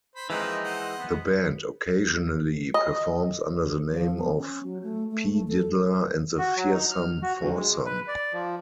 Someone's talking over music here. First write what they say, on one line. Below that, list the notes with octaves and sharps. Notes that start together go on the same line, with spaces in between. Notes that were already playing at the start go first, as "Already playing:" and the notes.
The band occasionally performs under the name of P Diddler And The Fearsome Foursome.
C5 B5
E3 F3 G#3 A#3 C4 D#4 B4
C5 D#5 F#5
B3
D#5
F3
B3
C#4
F#3
A3
A3
A3
A4
F#4
F#3
D#4
F6
F#4
D2
G#3
B4
D5
F3